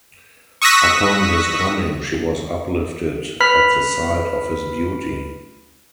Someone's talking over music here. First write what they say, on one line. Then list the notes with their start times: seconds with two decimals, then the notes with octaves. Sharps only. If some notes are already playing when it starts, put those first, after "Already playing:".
Upon his coming, she was uplifted at the sight of his beauty.
0.62 C#6 D#6 E6 F#6 A#6 B6
3.40 B4 B5 F6 B6